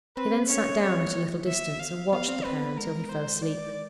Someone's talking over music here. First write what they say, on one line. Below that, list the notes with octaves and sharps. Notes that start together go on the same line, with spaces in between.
He then sat down at a little distance, and watched the pair until he fell asleep.
C4 B4
C#4 C#5
C4 C#5
B3
A3
A#3 E5
B3 F5
B3 F5
C4
C4 B4
B3
G#3 A#4
C5
D5